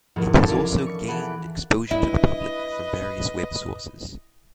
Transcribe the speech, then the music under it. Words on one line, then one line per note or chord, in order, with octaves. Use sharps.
It has also gained exposure to the public from various web sources.
F1 E2 G#2 D#3 F3 A#3
C2 A4
C#4 D#4 E4 A#4 D5 F5
C#6
E3 G#4 A4 F#5 B5 D7
E4 B4 D#5